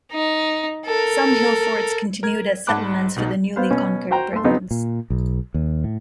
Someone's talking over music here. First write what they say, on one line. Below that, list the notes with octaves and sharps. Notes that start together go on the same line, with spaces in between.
Some hill forts continued as settlements for the newly conquered Britons.
D#4
A4 A#4
A#4 G#6
G#2 F#5 A5 B5 D6 F#6
B1 B2 D#4 A6
B3 C5 F5
B2 C#4
F#4 C5 G5 A#5
A3 C6
C#3 F#3 B3 C4 D#4
A#2
B1
D#2
A2